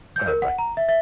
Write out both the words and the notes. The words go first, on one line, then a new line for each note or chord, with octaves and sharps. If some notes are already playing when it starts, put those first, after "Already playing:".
Alright, bye.
G6
A#4
F#5
A#5
E5
E5